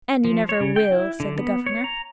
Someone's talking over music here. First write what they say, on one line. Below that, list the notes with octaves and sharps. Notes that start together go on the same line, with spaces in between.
"And you never will," said the governor.
F3
C#5
C#3
G5
E4
D3
B3
C#5
A#5